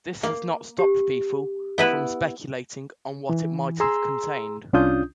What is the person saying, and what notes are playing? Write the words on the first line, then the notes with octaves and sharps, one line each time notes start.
This has not stopped people from speculating on what it might have contained.
A#3
G4
B3 E4 B4
E3
G#4 A#5 C6 E6
C2 C#4 D4 F4 D#6 G6